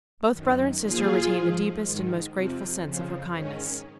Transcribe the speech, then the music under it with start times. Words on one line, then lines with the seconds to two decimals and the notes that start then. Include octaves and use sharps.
Both brother and sister retained the deepest and most grateful sense of her kindness.
0.31 F#2 D#3
0.82 A#2 F3 F4 G#4
1.32 G#2 F3
1.83 G#2 D#3
2.33 F2 C3 F3
2.83 F2 C#3 F3
3.34 G#2 D#3 C#4